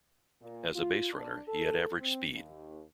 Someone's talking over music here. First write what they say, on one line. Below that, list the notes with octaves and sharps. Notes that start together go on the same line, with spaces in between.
As a baserunner, he had average speed.
A#2
F4
D4
A4
C4
D#2